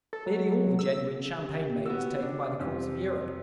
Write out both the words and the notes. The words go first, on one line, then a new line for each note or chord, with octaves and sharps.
Nearly all the genuine champagne made is taken by the courts of Europe.
A4
F#3
E6
G4
B3 F#4 E6
D4
F2 C3 G3 C4